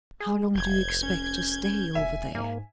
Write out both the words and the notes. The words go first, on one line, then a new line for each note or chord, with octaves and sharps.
"How long do you expect to stay over there?"
G#4
F1 G6 G#6
C#4
E1 E5 G#5
G#2 A#3